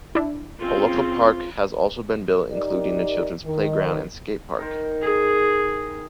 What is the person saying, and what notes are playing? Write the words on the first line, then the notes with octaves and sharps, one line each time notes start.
A local park has also been built including a children's playground and skatepark.
D4 E4
C4 C#4 F4 G#4
D#4 G4 A#4 D5
D#3
D#3 A#4 C5
G#4